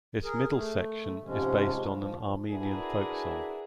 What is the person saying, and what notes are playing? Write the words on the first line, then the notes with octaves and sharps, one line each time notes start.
Its middle section is based on an Armenian folk song.
G#4 A#4
A3
G#2 C3 F3 G#3 C#4
F3
D4 E4 F#4 G#4 A#4 B4